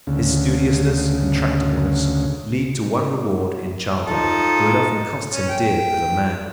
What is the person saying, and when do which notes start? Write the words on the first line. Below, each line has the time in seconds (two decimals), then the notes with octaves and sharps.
His studiousness and tractableness lead to one reward in childhood, though it often costs him dear as a man.
0.07 D2 C#3
4.07 F3 D#4 A4
5.31 C#4
5.49 G5